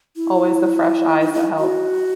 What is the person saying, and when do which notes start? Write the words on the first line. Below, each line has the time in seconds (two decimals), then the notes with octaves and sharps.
always the fresh eyes that help.
0.16 E4
1.20 D#4
1.33 E4
1.59 F#4